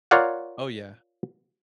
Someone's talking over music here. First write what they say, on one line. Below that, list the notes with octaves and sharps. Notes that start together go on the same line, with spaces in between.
Oh, yeah.
F4 A#4 C#5 D5 F5 F#5